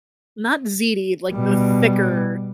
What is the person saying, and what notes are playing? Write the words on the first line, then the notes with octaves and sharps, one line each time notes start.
not ziti, like, the thicker,
B2 G3